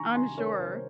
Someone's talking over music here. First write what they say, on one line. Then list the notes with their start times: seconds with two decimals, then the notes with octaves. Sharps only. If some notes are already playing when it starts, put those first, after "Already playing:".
I'm sure.
Already playing: D#3 G#5 A#5 C#6
0.15 C2 G#5 C6
0.38 A#4 C#5
0.60 C2 C5